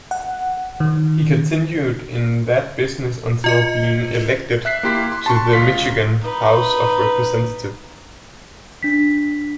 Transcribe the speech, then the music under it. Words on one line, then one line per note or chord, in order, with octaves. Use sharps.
He continued in that business until being elected to the Michigan House of Representatives.
F#5
D#3
F4 D#5 C#7
E5 F#6 B6 C7
A#3 E4 G4 C6 B6
C6
A5 C6 C#6
C#2 F4 F5 B6
D#4 B4
D4 B6